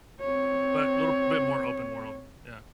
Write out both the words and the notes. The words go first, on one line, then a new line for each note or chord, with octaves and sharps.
but little bit more open world. Yeah.
C4 C#5